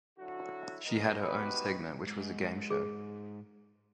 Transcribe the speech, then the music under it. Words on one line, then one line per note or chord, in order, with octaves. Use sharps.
She had her own segment, which was a game show.
D3 F#3 E4 F#4
G#1 B2 B3 A#4 D#5
B3 D#4 F#4 G4 B4
G#2
G#4